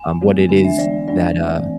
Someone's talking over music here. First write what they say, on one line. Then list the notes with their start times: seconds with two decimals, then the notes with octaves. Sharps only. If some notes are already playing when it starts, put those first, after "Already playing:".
um, what it is that, uh,
Already playing: G#5
0.21 F3 A3 C4
0.49 D3 G#3 D4 G#5
0.65 E5
0.78 E3 G#3 B3 D5
1.08 G#3 B3 D4 D5
1.36 E3 A3 C4